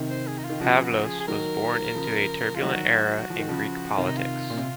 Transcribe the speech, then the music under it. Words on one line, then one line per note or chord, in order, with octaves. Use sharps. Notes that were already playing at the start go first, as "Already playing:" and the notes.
Pavlos was born into a turbulent era in Greek politics.
Already playing: C3 D#3
C5
G#4
D#4
F4
D#3
C#3 F3 F#4
G#4
F#4
G#4
G#4
D#3 F#3 A#4
C#3 F3
G#3 F4
D#3 F#3 F#4
F3
D#3
C#3 F3
C3 D#3 F4
D#4
F4
A#2
C3